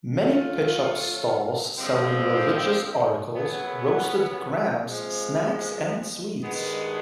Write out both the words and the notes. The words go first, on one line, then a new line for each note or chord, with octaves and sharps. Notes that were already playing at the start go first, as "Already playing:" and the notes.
Many pitch up stalls selling religious articles, roasted grams, snacks and sweets.
D3 F3 A3 C#4 F4
G2 D3 F3 G#3 C4
F#2 C#3 F#3 B3 E4
C3 F3 G#3
G2 D#3 G#3 B3